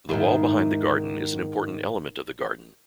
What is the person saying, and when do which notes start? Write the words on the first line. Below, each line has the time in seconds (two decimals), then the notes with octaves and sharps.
The wall behind the garden is an important element of the garden.
0.09 G#2 D#3 E4